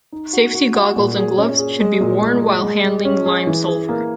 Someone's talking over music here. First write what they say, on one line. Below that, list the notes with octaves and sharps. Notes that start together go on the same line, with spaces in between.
Safety goggles and gloves should be worn while handling lime sulfur.
D#4
F#4
F#4
F#4
A#2
G#4
C#4
G#4
G#3
A#2
G#3
G#3
G#3
G#3
C#4
G#4
E3
G#4
A#3